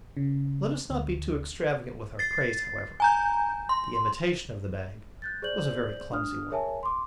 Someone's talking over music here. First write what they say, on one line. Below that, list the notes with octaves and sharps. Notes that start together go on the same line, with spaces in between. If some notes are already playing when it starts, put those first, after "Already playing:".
Let us not be too extravagant with our praise, however; the imitation of the bag was a very clumsy one.
C#3
D2
A6 C7
G#5 A#5 G6
C6
F#6 G6 A6
G#4 C5 D5 G6 F#7
D4 D#6 F6
G#4 A#4 C#5 E5 G#5 A5
C6 D6